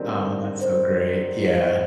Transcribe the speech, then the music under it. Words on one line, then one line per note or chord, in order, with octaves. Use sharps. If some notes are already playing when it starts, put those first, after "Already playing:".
Oh, that's so great. Yeah.
Already playing: D3 G3 C4 D#4 F#4 A#4
C5
C5 D#5